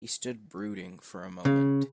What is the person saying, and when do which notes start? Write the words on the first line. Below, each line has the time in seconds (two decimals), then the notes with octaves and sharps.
He stood brooding for a moment.
1.45 C#3